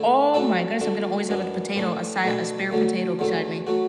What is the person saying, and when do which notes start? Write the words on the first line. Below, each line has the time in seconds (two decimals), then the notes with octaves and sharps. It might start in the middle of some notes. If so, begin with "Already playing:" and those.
Oh my goodness, I'm gonna always have a potato, as si a spare potato beside me.
Already playing: D3 A3 E4
0.34 F#3 A3 D4 B4 E5
0.81 D2 D3 A3 D4
1.29 F#2 E3 B3 D4
1.76 A2 E3 A3 D4
2.24 B2 A3 D4 B4
2.71 D2 D3 F#3 A3
3.19 E2 D3 F#3 A3
3.67 F#3 A3 F#4